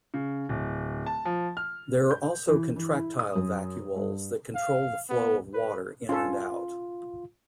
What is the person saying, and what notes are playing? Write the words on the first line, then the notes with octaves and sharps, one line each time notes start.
There are also contractile vacuoles that control the flow of water in and out.
C#3
D1
A5
F3
F6
G6
E3
E3
E4
D#6
F#2
G2
F5
B3
B4
C#4 F4 A4